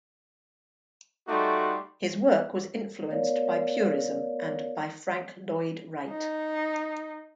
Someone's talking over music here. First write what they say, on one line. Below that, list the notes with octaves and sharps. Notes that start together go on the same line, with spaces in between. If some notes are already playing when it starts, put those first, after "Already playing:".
His work was influenced by purism and by Frank Lloyd Wright.
G3 A3 D#4 F#4 C6 D6
A3 B3 A#4 C#5 D5 F5
D#4